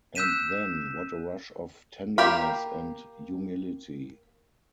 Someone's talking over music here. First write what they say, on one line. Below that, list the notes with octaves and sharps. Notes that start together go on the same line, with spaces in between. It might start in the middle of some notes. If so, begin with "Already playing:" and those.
And then, what a rush of tenderness and humility!
E6 F#6 G6 B6 D#7 E7
A#3 G4 A#4 F5 B5